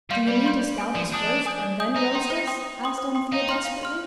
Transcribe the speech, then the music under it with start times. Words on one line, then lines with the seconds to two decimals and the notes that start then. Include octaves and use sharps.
'Do you mean to scalp us first and then roast us?' asked Anthea desperately.
0.10 G3 F5 C6 G6
0.28 G3 D5
0.44 F5 C6 G6
0.61 D5
0.78 G#5 D#6 G6
0.95 F3 D5
1.12 D4 G#5 D#6 G6
1.29 D5
1.46 G#5 D#6 G6
1.63 D5
1.80 G#5 D#6 G6
1.96 D#4 C5
2.14 G5 C6 D#6
2.30 C5
2.47 G5 C6 D#6
2.64 C5
2.81 G5 C6 D#6
2.98 C5
3.15 G5 C6 D#6
3.32 D#4 F5
3.49 C6 F6
3.65 F5
3.83 C6 F6